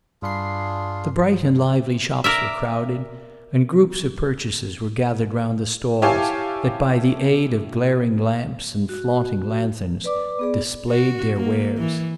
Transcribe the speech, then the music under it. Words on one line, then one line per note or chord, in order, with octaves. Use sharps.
The bright and lively shops were crowded; and groups of purchasers were gathered round the stalls, that by the aid of glaring lamps and flaunting lanthorns, displayed their wares.
G2 D4 F4 G#4 B5 C7
A#4 D5 E5
E4 G4 C#5 F5 G#5 A5
F#4
B4 D5 D6
B3 G#4 D5
F#4
A#3
E3